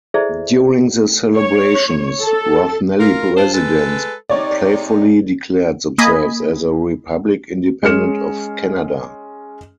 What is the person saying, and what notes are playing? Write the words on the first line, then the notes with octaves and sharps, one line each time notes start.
During the celebrations, Rathnelly residents playfully declared themselves as a republic independent of Canada.
E4 G#4 A4 C5 D5 E5
C#5
A4
F4 A#4
D4 F4 C5
G#3 A4 B4
C3 D#4 C#5 D5
A#3 D#5 G#5 B5
G#3 C#4 F6 C#7 E7